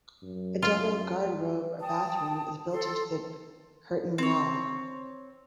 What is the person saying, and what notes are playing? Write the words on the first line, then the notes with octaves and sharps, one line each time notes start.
A double garderobe or bathroom is built into the curtain wall.
F#2
F4
G5 A5 D#6
A4 C6
C4 C#5